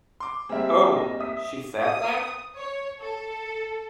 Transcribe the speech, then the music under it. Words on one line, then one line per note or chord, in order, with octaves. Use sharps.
Oh, she said that?
C6 D6
G3 A#3 C4 G#4 E5
D#5
E5 D#6 B6
D#6
C#5
A4